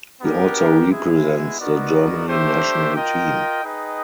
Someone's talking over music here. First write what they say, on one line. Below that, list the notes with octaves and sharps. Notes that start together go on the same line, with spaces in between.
He also represents the Germany national team.
B3 D4 G4 A#4
G#3 B3 E4 G#4
B3 D#4 F#4 A#4 D5
A3 D4 G4 C5 E5
F4 A#4 D#5 G5
D#4 G#4 B4 D#5 G5